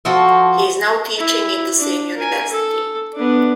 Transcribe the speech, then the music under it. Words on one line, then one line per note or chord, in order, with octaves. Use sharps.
He is now teaching in the same university.
F3 F#4 A4
E4
D4
A#4 G#5
A4
B3 D4